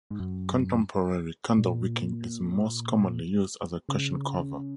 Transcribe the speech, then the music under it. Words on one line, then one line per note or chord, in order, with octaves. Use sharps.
Contemporary candlewicking is most commonly used as a cushion cover.
G#2
F#2
A#2
C#3